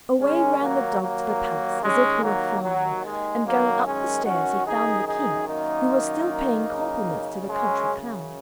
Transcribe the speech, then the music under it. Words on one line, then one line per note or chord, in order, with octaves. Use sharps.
Away ran the dog to the palace as if he were flying, and going up the stairs he found the King, who was still paying compliments to the country clown.
D#2 D#3 G#3 C#4
F#3 A#3
F#3 A#3
G#3 C#4
F#3 A#3
F#3
G#3
F#2 D#3 F#3 A#3
G#3 C#4
C#4 F#4
D#4 G#4
D#4 G#4
A#3 D#4
F#2 C#3
G#3 C#4